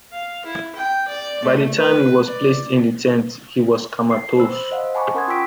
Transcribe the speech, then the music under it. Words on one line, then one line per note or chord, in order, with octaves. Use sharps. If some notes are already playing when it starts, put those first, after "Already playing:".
By the time he was placed in the tent, he was comatose.
F5
E4
G5
D5
A3
B4
D5
C7
C5 B5 E6
C5 D#5 F5 F#5
F#5 G#5 A5 B5 C#6 D6
C#4 A#4 F#5 C6 D#6 G#6
F4 G5 C#6 E6 B6 D7